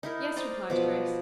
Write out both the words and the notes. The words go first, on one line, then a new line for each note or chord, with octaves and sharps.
"Yes," replied Grace.
D#4 E4 A#4
C5 D5 D#5 A#5
B2 F3 D6